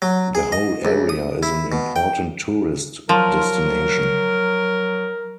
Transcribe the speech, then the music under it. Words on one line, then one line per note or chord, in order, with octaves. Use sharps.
The whole area is an important tourist destination.
F#3
G#4
D#5
C#2
D#6
E4
B2
G5
F3 F#3 A#4